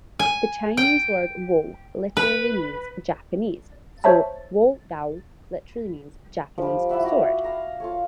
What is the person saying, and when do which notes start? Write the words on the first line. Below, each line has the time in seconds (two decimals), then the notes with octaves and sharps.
The Chinese word "wo" literally means "Japanese", so "wodao" literally means Japanese sword.
0.19 G#5
0.77 G5
2.17 B4
4.04 C5 C#5 E5 A5 A#5
6.58 F3 G3
6.89 E4 D5 E5 F#5
7.03 F#4 A#5 D6
7.43 F5 A5 A#5 C6
7.80 F4 A4 C#5